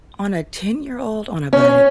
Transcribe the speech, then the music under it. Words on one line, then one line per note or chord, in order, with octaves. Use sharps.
On a ten-year-old on a bike.
C#4